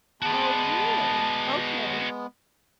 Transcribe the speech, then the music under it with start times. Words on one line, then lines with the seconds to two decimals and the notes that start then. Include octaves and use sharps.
Oh, really? OK.
0.22 G#3 B3 F#4 D5 A5